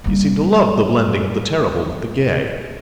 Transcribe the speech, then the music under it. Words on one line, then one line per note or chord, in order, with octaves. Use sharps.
You seem to love the blending of the terrible with the gay.
G3 A#3